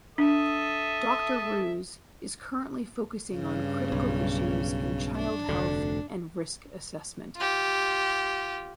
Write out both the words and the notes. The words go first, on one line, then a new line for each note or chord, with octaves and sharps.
Doctor Roos is currently focusing on critical issues in child health and risk assessment.
D4 A4 E5 D#6
G2 C#3
B1
D4
F1 D2 D3
F4 G4